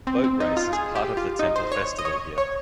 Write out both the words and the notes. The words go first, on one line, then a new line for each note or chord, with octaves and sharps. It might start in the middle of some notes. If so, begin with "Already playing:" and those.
Boat race is part of the temple festival here.
C4
C4
D#4
F4
G#4
G4
F4
D#4
C5
C#5
D#5
C#5
C#5